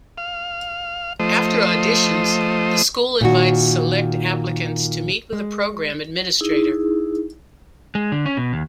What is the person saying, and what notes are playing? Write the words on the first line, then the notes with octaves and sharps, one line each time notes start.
After auditions, the school invites select applicants to meet with a program administrator.
F5
F3 A3 C5 D#5
A#2 D#3 F#4
G#3
D#4 E4 G#4
G#3
D3
C#4
B2
D#2